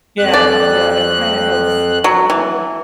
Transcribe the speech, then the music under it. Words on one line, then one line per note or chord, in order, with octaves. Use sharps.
Yeah, yeah, it kinda helps. Kinda
F2 F#6
D5
F#3
E3